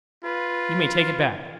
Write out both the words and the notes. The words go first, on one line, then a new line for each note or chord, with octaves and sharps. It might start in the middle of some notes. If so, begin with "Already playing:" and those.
You may take it back!'
F4 B4